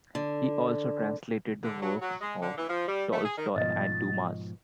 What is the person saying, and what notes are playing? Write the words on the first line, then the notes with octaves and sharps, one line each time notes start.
He also translated the works of Tolstoy and Dumas.
D3
D3
F#3
F#3
G#3
D3
E3
F3
G3
A3
G#4
D#3
G#2 B2 F3 D#5 A6